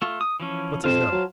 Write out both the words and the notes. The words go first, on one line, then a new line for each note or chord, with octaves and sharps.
What's his number?
A3 F4
D#6
E3 F3 C#4
F2 F4 C5 A5
F#3